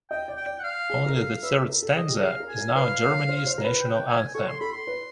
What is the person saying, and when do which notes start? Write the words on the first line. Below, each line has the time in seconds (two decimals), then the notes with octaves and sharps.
Only the third stanza is now Germany's national anthem.
0.11 D#5 G5
0.28 D5
0.37 G5
0.46 D5
0.59 F#5
0.64 F5
0.90 G#4
1.06 A#4
1.16 A4 F5
1.43 B4 E5
1.70 A#4
1.82 A4
1.96 G#4 D#5
2.09 G4
2.22 G#4 F5
2.40 A#4
2.49 G#5
2.58 A#4
2.75 B4 F5
3.01 C#5
3.29 C5
3.46 C5
3.58 A#4
3.64 B4
3.81 G5
3.88 F#5
3.94 G5
4.08 G#5
4.21 G#5
4.35 A4 C#6
4.47 C6
4.60 A4 B5
4.72 C6
4.87 B4